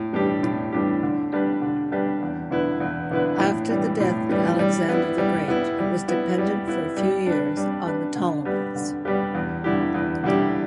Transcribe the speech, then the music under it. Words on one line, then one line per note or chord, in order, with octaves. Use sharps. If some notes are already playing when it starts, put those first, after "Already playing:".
After the death of Alexander the Great it was dependent for a few years on the Ptolemies.
Already playing: A2
E3 G3 D4 G4
A2
E3 G3 D4 G4
D3
G3 D4 G4 B4
D3
G3 D4 G4 B4
E2
D3 B3 E4 B4
E2
D3 B3 E4 B4
A2
E3 G3
A2
E3 G3
G3
B3
E4
G3
B3 E4
G3
B3 E4
G3
B3 E4
G3
D4 B4
G3
D4 B4
D3
G3 B3 G4 B4
D3
G3 B3 G4 B4
E2
D3 G3 E4 G4
E2
D3 G3 E4 G4